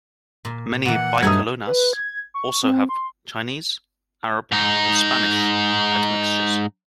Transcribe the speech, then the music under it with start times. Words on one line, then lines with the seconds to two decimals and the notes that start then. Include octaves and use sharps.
Many Bicolanos also have Chinese, Arab, and Spanish admixtures.
0.45 A#2
0.85 A#2 E3 F#5
1.23 G2 F#3 A3 D#4 D#6 G#6
1.67 B4
1.93 G#6
2.34 C#6
2.63 C4
2.89 C6
4.52 G#2 D#4